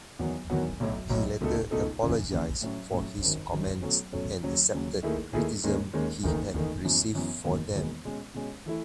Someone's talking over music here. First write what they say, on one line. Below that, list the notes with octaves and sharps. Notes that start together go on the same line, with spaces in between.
He later apologised for his comments and accepted criticism he had received for them.
E2 D#3 F#3 B3 F#4
E2 D#3 F#3 B3 F#4
B1 A2 F#3
B1 A2 F#3
C#2 B2 A3 D#4 A4
C#2 B2 A3 D#4 A4
D#2 C#3 E3
D#2 C#3 E3
A2 F#3 C#4
A2 F#3 C#4
G#1 F#2 D#3
G#1 F#2 D#3
B2 F#3 A3 C#4
B2 F#3 A3 C#4
D#2 C#3 F#3
D#2 C#3 F#3
D#2 D#3 A3 E4 G#4
D#2 D#3 A3 E4 G#4
D#2 D#3 G#3 C#4
D#2 D#3 G#3 C#4
F#1 E2 D#3 A3 D#4
F#1 E2 D#3 A3 D#4
F#2 E3 B3
F#2 E3 B3
E1 D#2 D#3 G#3 B3
E1 D#2 D#3 G#3 B3
B2 G#3 C#4
B2 G#3 C#4
E3 A3 E4